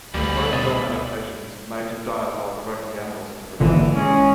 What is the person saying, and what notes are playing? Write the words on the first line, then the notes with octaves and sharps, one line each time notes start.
In both film adaptations, Major dies while provoking the animals into rebelling.
D2 G2 E3 G3 B5
B2 A4 D#5
G#1 A#2 D3 E3
G#3 C#4